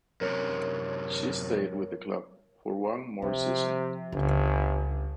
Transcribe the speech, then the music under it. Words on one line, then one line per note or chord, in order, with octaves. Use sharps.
She stayed with the club for one more season.
F#2 C3 A#4 C#5
C3 F3
G1 C#2